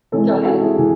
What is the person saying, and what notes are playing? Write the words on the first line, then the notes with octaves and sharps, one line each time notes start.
Go ahead.
C3 E3 G#3 A4 C#5
A4 C#5
F#4 A4
E4 G#4
C3 E3